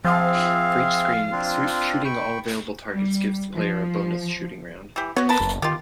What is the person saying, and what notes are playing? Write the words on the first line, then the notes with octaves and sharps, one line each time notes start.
For each screen, shooting all available targets gives the player a bonus shooting round.
F3 C4 G#4 E5 F5
C4 D4 F4
G5 B5 C#6
G3
F3
E3 G4
B3 F#4 C#5
B3 A#4 B4 A5
F#1
D#3 F4 G4